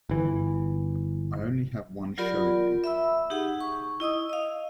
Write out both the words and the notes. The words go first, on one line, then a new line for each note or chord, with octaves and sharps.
I only have one show in me.
G1 E3
F#3 F4 G4 A#4 D5 B5
E5 B5 E6
D#4 G4 G#4 F#5
C#6
E4 D#5 D#6 E6
D#5 F5